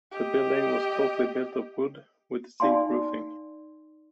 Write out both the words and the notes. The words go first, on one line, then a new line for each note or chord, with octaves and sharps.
The building was totally built of wood with zinc roofing.
G4 D#5
D#4 D5 F5 G#5 C6